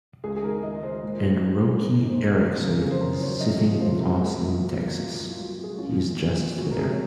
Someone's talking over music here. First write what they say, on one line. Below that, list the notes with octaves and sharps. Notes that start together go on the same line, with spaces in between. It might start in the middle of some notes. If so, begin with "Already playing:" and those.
And Roky Erickson is sitting in Austin, Texas; he's just there.
C#2 G#4
G#4
D#3 A#4
C#2 D#5
G#3 C5
A#2
D#4
A#2
A#2
G#4
D#4 A#4
D#4
C5
F#2
A#4
F#2
C#3 A#4
C#3 G#4
C5
C#3 A#4
F#3 C#5
C3 D#5
F3
F4 C5
C3
C#2 G#4
A#3
F3 F#4
A#3
A#2 F4
F#3
F4
C2 F#4
C2
G#4
F#4
C#4 F4
A#2
A#2
A#2
G#3 F#4
A#4
C3 G#4
C#5